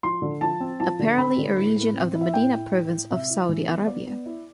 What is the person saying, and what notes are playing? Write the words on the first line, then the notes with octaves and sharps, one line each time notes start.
Apparently a region of the Medina Province of Saudi Arabia.
F3 C6
D3
F3 A5
C4
F3 A5
D3
C4 B5
D3
A2
A2
C4
E4
E5
A2 G5
E4
A2
E4
C3 E5
E4
E3
B3
B3 D5
B3
E4